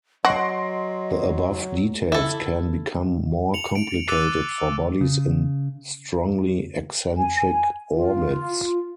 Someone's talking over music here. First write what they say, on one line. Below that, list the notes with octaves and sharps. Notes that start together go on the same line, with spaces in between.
The above details can become more complicated for bodies in strongly eccentric orbits.
F#3 F#4 D#5 C6 A#6 D7
E4 A4
C#7 F7 F#7
D7
D6 E6 F#6 A6 D#7 F7
C#3
G#5
F4